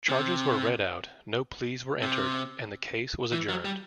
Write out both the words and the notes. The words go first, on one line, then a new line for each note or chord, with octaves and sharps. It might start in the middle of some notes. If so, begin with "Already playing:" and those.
Charges were read out, no pleas were entered and the case was adjourned.
C3
C3
E3
F#3
G3